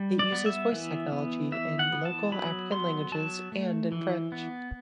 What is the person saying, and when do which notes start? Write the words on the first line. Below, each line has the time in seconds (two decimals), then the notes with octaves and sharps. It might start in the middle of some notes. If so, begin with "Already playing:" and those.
It uses voice technology in local African languages and in French.
Already playing: G3
0.19 D5
0.32 B3
0.46 E5
0.72 E3
1.12 B3
1.52 E3 E5
1.79 F#5
1.92 B3
2.05 A5
2.32 F#3 B5
2.72 B3 C6
3.12 F#3 A5
3.52 A3
3.92 E3
4.32 B3